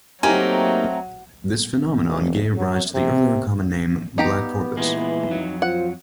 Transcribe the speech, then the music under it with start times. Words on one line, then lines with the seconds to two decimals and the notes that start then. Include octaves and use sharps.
This phenomenon gave rise to the earlier common name, black porpoise.
0.23 F#3 A3 A#3 C4 D#4 G4 G#5 A#5
2.03 F1
2.57 F#3
2.94 C3
4.18 B3 D#4 G4 A#5
4.77 A#2 E3 G#3
5.27 F2 F#3 D#4
5.62 F4 C5 F#5